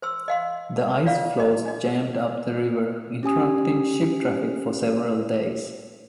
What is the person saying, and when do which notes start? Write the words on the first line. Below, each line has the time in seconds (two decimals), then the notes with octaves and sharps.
The ice flows jammed up the river, interrupting ship traffic for several days.
0.02 C5 C6 E6
0.28 D#5 F5 C6
1.05 F4 D5 F5
1.40 D#5
1.66 D4 D#5
3.23 C#4 G4 G#5 D#6